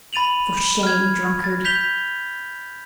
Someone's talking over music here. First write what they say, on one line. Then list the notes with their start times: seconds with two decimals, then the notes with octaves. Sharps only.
For shame, drunkard!'
0.13 B5 A6 D#7 F7 F#7
0.83 F6 G#6
1.44 A6
1.65 G6 B6 F7 G7